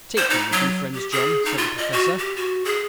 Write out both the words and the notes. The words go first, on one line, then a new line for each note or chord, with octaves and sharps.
"Take me with you, friend John," said the Professor.
C5
D#4
F#3
G4
G#4
D#4
F4
D#5
F#4
G4
F#4
G#4